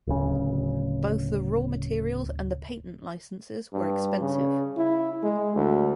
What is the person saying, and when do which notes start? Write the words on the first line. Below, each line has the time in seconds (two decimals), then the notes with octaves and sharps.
Both the raw materials and the patent licenses were expensive.
0.07 D1 C#3
3.73 G2
4.21 C#3
4.77 E4
5.23 G#3
5.55 D2